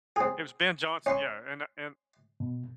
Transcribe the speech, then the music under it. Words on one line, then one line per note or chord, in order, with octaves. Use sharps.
It was Ben Johnson, yeah, and a and
C4 G#4
C#4 C6 C#6
B2